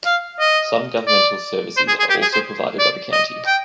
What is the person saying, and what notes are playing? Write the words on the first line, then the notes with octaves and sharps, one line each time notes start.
Some governmental services are also provided by the county.
F5
D#5
D5
C5
G#4
G#4
G4
G#4
C5
D5
D#5
G5